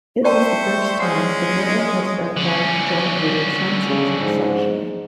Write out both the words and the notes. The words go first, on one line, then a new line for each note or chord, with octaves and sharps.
It was the first time the medal has been won jointly since its inception.
C5 D5 E5 G5 A5 C#6
G5
G#3 C#4 F#5
D3 C#4
C#3
G#2